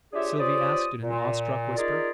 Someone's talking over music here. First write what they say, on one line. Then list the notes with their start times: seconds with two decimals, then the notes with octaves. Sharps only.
Sylvie asked in an awestruck whisper.
0.13 D4 F4 G4 G#4 C#5 E5
0.39 C#4 F4 G4 C5 D5 D#6
1.03 A#2
1.77 D#4 F4 G#4 A#4 D5